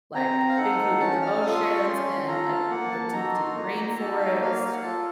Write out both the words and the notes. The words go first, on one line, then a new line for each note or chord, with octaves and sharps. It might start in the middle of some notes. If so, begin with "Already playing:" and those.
like, including the oceans and, like, the deep, deep rainforest,
C4 A#5
F5
D#4 A4 F#5
C#4 A5
F6
F4 A4 D#6
C6
C#6
C#4 C6
C6
F4 A4 A#5
A5
A#3 F#5
A5
D#4 F#4 A4 A#5
C6
A#3 A#5
A#5
A#5
D#4 F#4 A4 A5
F5
A#3 F5
F5
F#5
F4 A4 A5